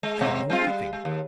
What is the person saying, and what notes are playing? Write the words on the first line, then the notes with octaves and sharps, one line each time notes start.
I don't know anything.
G#3
B2 G#3 C4
G#3 C4 F4
G3
G#3
D#2